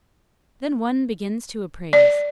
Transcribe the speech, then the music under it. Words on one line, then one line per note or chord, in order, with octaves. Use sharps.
Then one begins to appraise.
D5